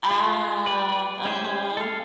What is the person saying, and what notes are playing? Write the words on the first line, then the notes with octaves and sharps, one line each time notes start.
Ah, uh-huh.
F4
B4 D5
C#4 E4 G4 C5 G#5
A4 F5